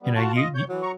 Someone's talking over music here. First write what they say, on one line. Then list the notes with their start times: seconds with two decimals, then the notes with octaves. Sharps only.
you know you you
0.02 G3 B3
0.15 F4 F#4 A5
0.37 D#5
0.55 D#2 C#5 G6
0.69 E3 F#3
0.82 A#5 C#6